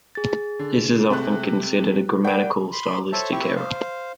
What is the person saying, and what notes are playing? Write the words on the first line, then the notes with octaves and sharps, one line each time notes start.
This is often considered a grammatical or stylistic error.
G#4 A6
D3
C3 A3 F#6
A#4 D5 F#5 G5 D7
B5 C6
A4 C5 C#5 E5 A5
C4 E4 G4 C#6
C5 F5